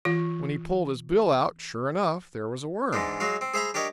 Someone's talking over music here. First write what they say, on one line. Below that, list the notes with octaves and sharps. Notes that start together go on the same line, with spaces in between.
When he pulled his bill out, sure enough, there was a worm.
E3 F4 C#6
G#2 E3 G#3 D4
F#3 G#3 F#4 F5
C4
G#4 C5 E5 A#5 B5
D4 G4 A#4 C#5 D#5